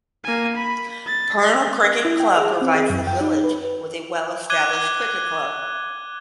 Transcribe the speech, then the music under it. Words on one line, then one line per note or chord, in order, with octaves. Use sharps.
Purnell Cricket Club provides the village with a well-established cricket club.
A#3 G#5
B5
A6
E4
G5
G#4
C4
G#4
F#2
G5
D#4
B4
D6 F#6 G#6 D#7 G7